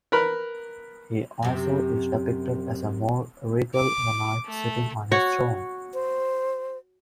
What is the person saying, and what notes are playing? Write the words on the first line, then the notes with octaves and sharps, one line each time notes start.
He also is depicted as a more regal monarch sitting on his throne.
A#4 B4 B5
F#2 C3
D6
A3
F#4 C#5
C5